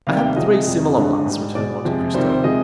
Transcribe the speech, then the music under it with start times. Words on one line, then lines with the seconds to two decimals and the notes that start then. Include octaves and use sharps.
"I had three similar ones," returned Monte Cristo.
0.07 C3 D#3 G3 F5
0.17 G5
0.27 F5
0.36 C3 F3 G#3 D#5
0.66 F2 C3 G3
0.96 G2 D3 G#3
1.26 G#2 G3
1.55 B2 G#3 D5
1.85 F2 C3 F3 G#3
2.14 C3 D#3 G3 C5
2.29 C5
2.44 C3 F3 G#3 D#5